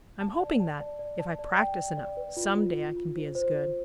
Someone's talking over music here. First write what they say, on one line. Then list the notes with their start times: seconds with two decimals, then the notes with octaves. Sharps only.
I'm hoping that, if I practice enough, some day I can be as good.
0.21 A5
0.40 D5
0.60 A5
0.80 D5
0.99 D5
1.19 A5
1.39 D5
1.58 G5
1.77 D5
1.97 D5
2.17 B4
2.37 F4
2.56 F4
2.76 F4
2.96 F4
3.16 C5
3.35 C5
3.55 F4